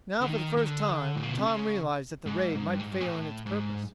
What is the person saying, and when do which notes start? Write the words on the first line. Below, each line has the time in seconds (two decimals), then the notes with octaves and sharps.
Now, for the first time, Tom realized that the raid might fail in its purpose.
0.21 D3
0.27 D#3
0.57 D#3
0.66 D3
1.16 A2
1.24 A#2
1.31 B2
1.39 C3
1.46 C#3
2.26 G#2
2.55 G#2
2.66 G2
2.80 G#2
2.92 G2
3.01 A#2
3.06 A2
3.46 G#2